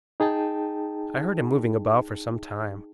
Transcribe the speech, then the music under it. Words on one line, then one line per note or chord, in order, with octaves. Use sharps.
I heard him moving about for some time.
D#4 G#4 G5 A5